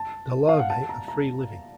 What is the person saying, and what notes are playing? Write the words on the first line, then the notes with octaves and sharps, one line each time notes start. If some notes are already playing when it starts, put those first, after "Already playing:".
The larvae are free living.
Already playing: A5
F5
F#5
A5
A#5
A#5